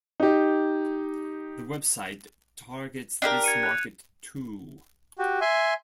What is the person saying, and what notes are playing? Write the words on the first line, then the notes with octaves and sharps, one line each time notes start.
The website targets this market too.
D#4 G4
D4 G4 A#4
G#6 C#7 D#7
F#6 F7
F#4 G4
E5 G#5 C6